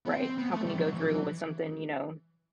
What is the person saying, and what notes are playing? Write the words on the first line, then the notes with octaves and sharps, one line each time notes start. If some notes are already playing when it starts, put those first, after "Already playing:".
Right, how can you go through with something, you know?
B3
C4
C4
B3
A3
G3
E3
F#3
E3
E3